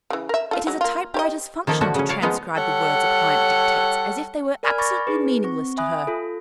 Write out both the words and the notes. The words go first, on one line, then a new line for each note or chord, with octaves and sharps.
It is a typewriter's function to transcribe the words a client dictates as if they were absolutely meaningless to her.'
C#3 E3
A#4 E5
A3 F4 A4
F#3 G#3
A#3 F4
G4 C#5 D#5
D#3 F3 A#3 A4
D3 F3 A3 F#4
C#3 C#4
C#5 D5 F5 F#5 A5
F3 G#3 B3 D#4 F5
G3 A4 C#5 F#5
A#4 D5 G#5 B5 F6 G#6
B5 C#6 D6 A6 A#6
D#4 G#4 B4
C4 C#6
E5 G#5 B5 D#6 F#6
F4 A4